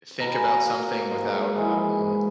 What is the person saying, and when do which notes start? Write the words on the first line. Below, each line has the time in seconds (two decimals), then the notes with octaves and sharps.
think about something without, um,
0.20 B2 A#5
0.33 G#5
0.46 A#5
0.65 A#3
1.10 G#2
1.55 E3 G#3
1.99 G#2